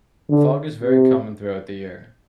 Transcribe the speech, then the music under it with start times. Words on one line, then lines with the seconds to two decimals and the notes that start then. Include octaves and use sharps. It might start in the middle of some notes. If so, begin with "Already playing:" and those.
Fog is very common throughout the year.
0.30 D3
0.83 C3